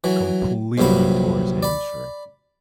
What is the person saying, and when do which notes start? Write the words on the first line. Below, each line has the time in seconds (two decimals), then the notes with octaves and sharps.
completely tore his hamstring.
0.04 E3 F#3
0.78 A#1 G2 C3 F#3 B5
1.63 D5 B5